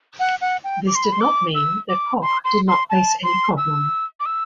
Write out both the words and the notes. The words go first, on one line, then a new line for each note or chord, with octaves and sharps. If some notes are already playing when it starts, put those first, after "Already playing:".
This did not mean that Kok did not face any problem.
F#5
F#5
G5
D6
C6
B5
C6
D6
E6
D6
C6
C6
C6
A5
C6
E6
D6
E6